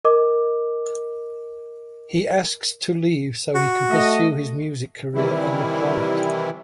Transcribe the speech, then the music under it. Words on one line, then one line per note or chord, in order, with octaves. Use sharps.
He asks to leave so he can pursue his music career on the planet.
A#4 D#5 D6
F#4
A3 D#5
C3 D#3 E3 G3 E4